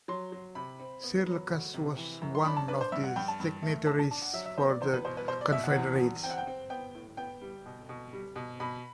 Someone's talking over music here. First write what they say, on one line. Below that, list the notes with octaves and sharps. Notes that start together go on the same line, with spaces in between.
Sir Lucas was one of the signatories for the Confederates.
F#3 C6
F#3
C3 B5
C4
B3
F#3
D2
C3
E3
F#2
C6
D4 B5
A5
D4 B4
C5
G2 E5
F#5
G2 G5
A5
G2
A3
D4 A5
A5
D4 A5
F#5
F#3 E5
E5
B3 C5
D5
E2 C5
B4
B2 C5
B4
B2 C5
D5
B2 E5
F#5
E2
E2
C4 G5
F#5
G5
C4
B3 G5
A2
B3 G5
G3
B2
B2
G3
B2
B2 B5